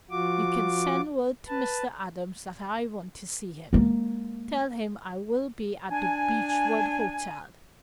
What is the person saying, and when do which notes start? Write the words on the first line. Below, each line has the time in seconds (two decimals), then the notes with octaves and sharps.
You can send word to Mr. Adams that I want to see him. Tell him I will be at the Beechwood Hotel.
0.11 F3 F4 F#4 D6
1.47 B4 A5
3.73 G#3 A#3
5.91 D4 G#5